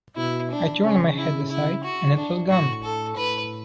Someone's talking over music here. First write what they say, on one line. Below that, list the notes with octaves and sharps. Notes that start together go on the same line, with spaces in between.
I turned my head aside, and it was gone.
B2 E4
D4
C#3 C#4
E4
E4
F#4
D4
A2 F#4
A4
A2 B4